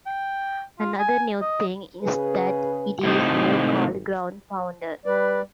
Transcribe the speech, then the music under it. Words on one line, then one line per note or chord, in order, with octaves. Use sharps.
Another new thing is that it is now called Ground Pounder.
G5
F4
G#5
D#5
C#3 G#4 B4
G#1 A2 C3 D#4
G3 B4 D5